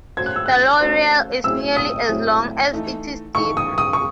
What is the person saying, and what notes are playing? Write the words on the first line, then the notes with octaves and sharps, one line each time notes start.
The loreal is nearly as long as it is deep.
A3 C#4 F#4 C5 G#6
F#6
E6
F#6
A3 C#4 F#4 C5
A2 F#3 C4 E4 G#4 E6
D#6
A2 F#3 C4 E4 G#4
E3 A3 D#4
E3 A3 D#4 C#6
D#6
D#6
C#6